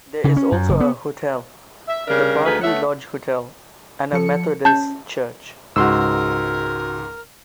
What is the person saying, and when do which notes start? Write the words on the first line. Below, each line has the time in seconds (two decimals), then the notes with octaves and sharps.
There is also a hotel, The Bartley Lodge Hotel, and a Methodist church.
0.24 C#3
0.36 C#4
0.52 F#2
0.69 F#1
0.80 B3
1.88 E5
2.07 C#3 G3 D4 A#4
2.44 D2 D#4 G#4 B4 F5
2.62 A3 B3 C#5 E5 F#5
4.13 F3 A4 C#7
4.65 C#4 A5 G6
5.76 C#2 G#2 F#4 A#4 C6 E6